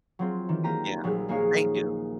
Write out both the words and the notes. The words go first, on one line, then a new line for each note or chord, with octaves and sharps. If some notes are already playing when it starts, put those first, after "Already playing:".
Yeah, well thank you.
F#3 C4 F4
D#3 E3
A#3 G4 A#5 B6 D#7
A#1 F#3 G3
G#3 A#3 D#4 A#4 C#5 F5